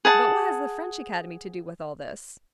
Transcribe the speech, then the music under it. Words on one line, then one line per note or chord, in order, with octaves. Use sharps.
"But what has the French Academy to do with all this?"
G#4 F#5 A5